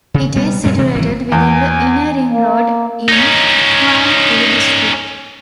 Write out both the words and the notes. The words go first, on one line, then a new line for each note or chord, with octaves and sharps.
It is situated within the inner ring-road in Huangpu District.
C#3
B2 G3 B3
F#2 A#2 G3 G#3
C3 E3 F#3 G#3
G#1 E3 F#3
E2 G#5
A#3
C#4 D#4